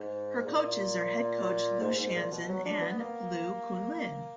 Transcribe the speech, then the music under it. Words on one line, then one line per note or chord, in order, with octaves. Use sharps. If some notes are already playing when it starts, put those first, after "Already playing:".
Her coaches are head coach Lu Shanzhen, and Liu Qun Lin.
Already playing: G#2
A#2
G#2
G#2
A#2
B2
F#3
D4
B3
A#3